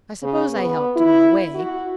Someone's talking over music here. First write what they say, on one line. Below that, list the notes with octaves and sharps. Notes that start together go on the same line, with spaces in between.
I suppose I helped him in a way.
C#3
B3
E4
F#4